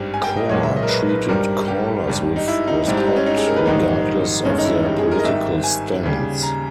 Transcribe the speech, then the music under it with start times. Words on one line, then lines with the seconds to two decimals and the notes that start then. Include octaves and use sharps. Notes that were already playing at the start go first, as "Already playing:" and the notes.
Core treated callers with respect regardless of their political stance.
Already playing: G#1 G2 G3
0.14 G#5
0.24 G5
0.36 D#5
0.49 B1 A#2 G#3 C#5
0.63 E5
0.76 D#5
0.83 A#4
0.89 B4
1.09 B4
1.28 G#1 G2 G3 A#4
1.68 G4
2.08 G#1 G2 G3
2.36 D#4
2.48 E4
2.67 D#4
2.87 G#1 G#2 G3 E4
2.97 G4
3.07 D#4
3.16 C#4
3.26 D#4
3.36 G#4
3.47 A#4
3.56 B4
3.66 A#1 G#2 D#3 G3 D#4
4.45 G1 G2 D#3 G#3 C#4
4.58 D#4
4.65 E4
4.85 G4
4.98 G#4
5.11 A#4
5.19 D#5
5.24 G#1 G#2 D#3 G3 E5
5.64 G#5
6.04 D#2 C#3 G3
6.43 A#5